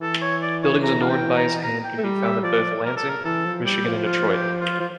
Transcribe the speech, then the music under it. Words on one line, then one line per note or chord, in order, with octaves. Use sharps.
Buildings adorned by his hand can be found in both Lansing, Michigan and Detroit.
E3 A4
C#5
D5
C#5
A#5
F5
G5
A#5
A#5
G5
A3
G3
E5
F3 D5
A#4
A4
A#4
E3 A4
F3
G3 G4
F3
F4
G4
F4
F3 F4